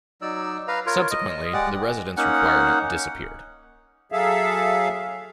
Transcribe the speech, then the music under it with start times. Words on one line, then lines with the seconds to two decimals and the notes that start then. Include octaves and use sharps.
Subsequently, the residence requirement disappeared.
0.22 F#3 D#4 D5 E6
0.68 B4 F5 A#5
0.86 F4 A#4 C#5
1.11 D#5
1.53 G#3 G4 D5 F#5
2.17 A#3 C#4 D#4 F#5
4.12 F#3 G#4 A4 E5 F5